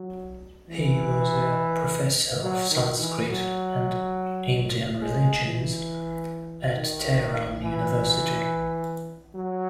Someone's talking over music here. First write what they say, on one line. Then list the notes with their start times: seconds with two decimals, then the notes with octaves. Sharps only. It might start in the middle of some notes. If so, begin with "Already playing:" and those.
He was a Professor of Sanskrit and Indian religions at Tehran University.
Already playing: F#3
0.69 E3
2.42 F#3
2.71 D#3
2.99 E3
3.28 F#3
5.02 G#3
5.45 E3
6.74 D#3
7.61 E3
9.35 F#3